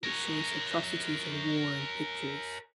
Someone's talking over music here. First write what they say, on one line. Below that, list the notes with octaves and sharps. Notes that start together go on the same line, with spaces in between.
It shows the atrocities of war in pictures.
A#4 C#5